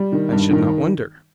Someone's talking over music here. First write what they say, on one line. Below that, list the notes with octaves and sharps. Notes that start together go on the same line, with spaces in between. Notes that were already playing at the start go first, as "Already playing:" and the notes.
I should not wonder.
Already playing: G3
D#3
G2
D#3